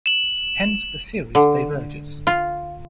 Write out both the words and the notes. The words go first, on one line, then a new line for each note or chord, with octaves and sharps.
Hence the series diverges.
E7 F#7
D3
F4